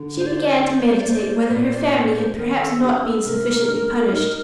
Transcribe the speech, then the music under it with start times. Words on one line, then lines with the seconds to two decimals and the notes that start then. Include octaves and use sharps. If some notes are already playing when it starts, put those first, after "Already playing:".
She began to meditate whether her family had perhaps not been sufficiently punished.
Already playing: D3
0.17 D4 C5
0.26 D5
0.36 C5
0.45 D5
0.54 C5
0.61 D#4 D5
0.73 C5
0.82 D5
0.90 C5
1.00 D5
1.06 A#3 C5
1.18 D5
1.26 C5
1.36 D5
1.44 C5
1.49 A#2 D5
1.63 C5
1.72 D5
1.80 C5
1.90 D4 D5
2.00 C5
2.08 D5
2.18 C5
2.37 D#3 A#4
2.60 A4
2.81 D4 G4
3.03 A4
3.24 C3 A#4
3.69 D4
4.13 D#4